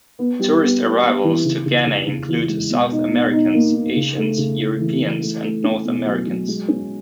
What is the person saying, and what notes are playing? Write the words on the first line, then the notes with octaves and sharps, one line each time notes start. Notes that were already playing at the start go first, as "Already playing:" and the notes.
Tourist arrivals to Ghana include: South Americans, Asians, Europeans, and North Americans.
B3
G3
B3
B3
B3
E3
C#3
C#3
C#3
C#3
E3
G#3
B2
D#4
B2
D#4
A#3
D#4
C#3
A3
C#3
A3
E3
E3
A3
A3
C#4
B2
F#3
F#3
G#3
C#4